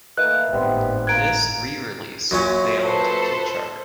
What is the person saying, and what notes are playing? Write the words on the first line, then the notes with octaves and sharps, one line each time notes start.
This re-release failed to chart.
E3 A3 A#3 B4 D#5 E5 F#6
G#1 A2 G3 B3 C4
A#3 F5 A#5 F#6 G#6 D7
F#2 A#2 C#4
A4 B4 C5